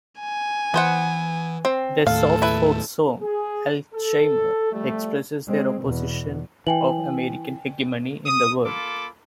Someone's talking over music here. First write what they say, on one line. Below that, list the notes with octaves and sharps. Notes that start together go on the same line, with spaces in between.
Their soft folk song, "Alzheimer" expresses their opposition of American hegemony in the world.
G#5
E3 B3 C5 F#5
C4
D#2 A2 A4 F5
E4 B4
G#4
A4
F3 G3 A3
G#3 C4
E2 B2
E3 G5 G#5 F#7
D#6
A#3 F4 A4 B5 D6